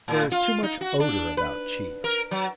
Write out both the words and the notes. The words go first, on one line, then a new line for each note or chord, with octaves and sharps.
There is too much odour about cheese.
A2
F4
D#4
F#4
D4
B4
A#4
F#3